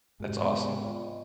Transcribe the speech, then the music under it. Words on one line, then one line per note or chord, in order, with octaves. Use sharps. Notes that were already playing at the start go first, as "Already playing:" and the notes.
That's awesome.
G#2 F#4 G4
B3 C5 G5
F4 D5 B5
D#5